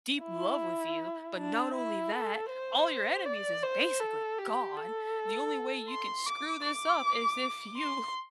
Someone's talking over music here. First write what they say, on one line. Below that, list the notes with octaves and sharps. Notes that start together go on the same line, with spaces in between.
deep love with you, but not only that, all your enemies is basically gone. The only way you can screw this up is if you
E4
D4
E4
A4
C5
D5
C5
A4
G4
A4
C6
D6
D6
C6